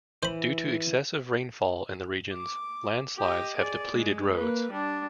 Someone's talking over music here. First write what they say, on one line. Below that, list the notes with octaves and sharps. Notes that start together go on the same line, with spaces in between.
Due to excessive rainfall in the regions, land slides have depleted roads.
E3 C5 B5
D6
G4 D#5
G#4 D5
G#3
A#3 B4
G3 D4